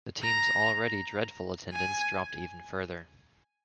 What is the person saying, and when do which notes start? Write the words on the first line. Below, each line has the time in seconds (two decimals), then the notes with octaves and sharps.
The team's already dreadful attendance dropped even further.
0.23 A#5
1.73 G#5